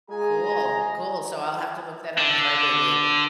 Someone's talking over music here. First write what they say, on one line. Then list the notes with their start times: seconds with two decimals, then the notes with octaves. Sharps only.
Cool. Cool, so I'll have to look that up, Cry-Baby.
0.10 G#3 F4 G#4 G#5 A#5
2.18 D3